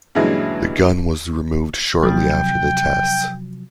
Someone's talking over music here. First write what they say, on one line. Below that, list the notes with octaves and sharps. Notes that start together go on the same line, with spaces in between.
The gun was removed shortly after the tests.
G2 A#2 C#3 E3 F#3 G#3
C3 F3 F#3 G5